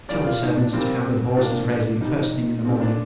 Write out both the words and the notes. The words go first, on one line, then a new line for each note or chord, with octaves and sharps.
Tell the servants to have the horses ready the first thing in the morning.
A#2 G3 A#3 D5
F4
D#4
D4
A#2 G3 A#3 C4
C3 F3 A#3 D4
F2 C3 G3 D#4
A#2 A3 C4
D4